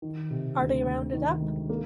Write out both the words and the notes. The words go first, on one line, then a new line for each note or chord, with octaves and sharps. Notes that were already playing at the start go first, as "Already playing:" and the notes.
Are they rounded up?
D#3
C3
D2
D2
D#3
G#3
A#3